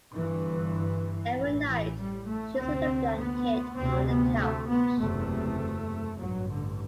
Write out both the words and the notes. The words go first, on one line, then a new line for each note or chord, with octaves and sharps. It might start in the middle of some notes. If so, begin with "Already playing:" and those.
Every night, she is with a blanket on the couch.
G1 G2 E3
A1 A2 E3
E3
G3
A3
D2 C3 C4
B3
D2 C3 C4
B3
A3
B3
F#1 E2 C3 A3
A1 G2 F#3
D3